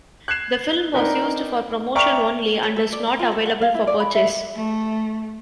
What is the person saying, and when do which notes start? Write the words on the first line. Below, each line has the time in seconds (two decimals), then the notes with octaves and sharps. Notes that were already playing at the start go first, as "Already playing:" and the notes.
The film was used for promotion only and is not available for purchase.
0.28 F#6 G#6 C7 E7
0.94 C4 D4 D#4 A#4 B4
1.95 D5 E5 G5 A#5 C#6 F6
2.63 C#5
2.76 A4
2.93 D5
3.07 A#5
3.19 F4
3.32 A4
3.46 F#5
3.62 F5
3.74 E4
3.87 D5
4.00 B5
4.14 E5
4.55 A3